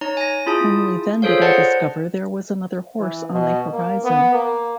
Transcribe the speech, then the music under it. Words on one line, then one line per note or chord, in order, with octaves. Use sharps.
Only then did I discover there was another horse on the horizon.
D#4 C#5 A#5
G#5 A#6
E4 F4 G#4 A5 D#6
F4 G#4 A4 C5 C#5 F5
B4 C5 D5 D#5 F#5 A5
E3
B2
A#3
B3
A#3